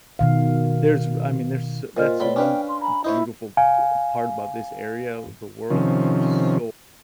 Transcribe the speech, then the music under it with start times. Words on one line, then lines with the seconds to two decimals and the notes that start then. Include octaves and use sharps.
there's r I mean, there's s that's one beautiful, uh, part about this area of the world is there's so
0.19 B2 D#3 F5
1.97 A#2 F4 C5 D#5 F6
2.20 A2 B4 C#5 D5 B5 C6
2.36 C#4 D4 B4 D5 F5 G5
2.68 C6
2.81 G#5 A#5 B5
3.04 D#4 E4 C5 C#5
3.57 F5 G#5
5.70 C3 D#3 F3 C#4